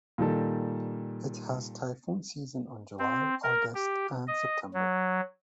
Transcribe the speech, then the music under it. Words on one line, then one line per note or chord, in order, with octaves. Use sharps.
It has typhoon season on July, August and September.
A#2 D#3 G3 A4
C4
A#4
G4
D#5
F#3